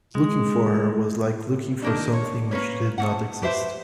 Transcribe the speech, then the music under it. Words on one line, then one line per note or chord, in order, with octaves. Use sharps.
Looking for her was like looking for something which did not exist.
G#3
D#3 A#3 D4
C#5
A#3 C#4 B4 C#5
A3 A#3 F#5
G4 B4 C5 E5